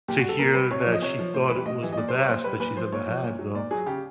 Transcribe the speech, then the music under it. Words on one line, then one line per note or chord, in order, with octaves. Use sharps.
to hear that she thought it was the best that she's ever had, though.
A#2 G4
G3 F#4
A4
A#2 A#4
G3 B4
C3 C#5
C#5
F3
D#5
C3 C#5
F3
A2 C5
E3 B4
G3
A2 D#5
E3 G3
D#5
A#2 D5
G3 C5
C#5
A#2 C5
G3 B4
A#2 B4
F3 C5
A#2 C#5
F3
A#2
F#3
A#2 D5
F#3 G#4
C#3 G4